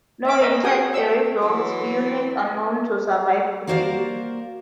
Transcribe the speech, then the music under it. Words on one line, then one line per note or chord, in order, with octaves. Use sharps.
No intact Erie-built units are known to survive today.
E5 D6
A#4 B4 D#5 E5
F#4 G#4 G5 G#5 D#6
G5 E6
E3 F#3
A#3 F#4 A#4 C5 D5 F5